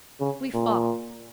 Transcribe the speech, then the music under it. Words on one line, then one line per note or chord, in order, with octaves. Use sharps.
We fall.
C#3
A#2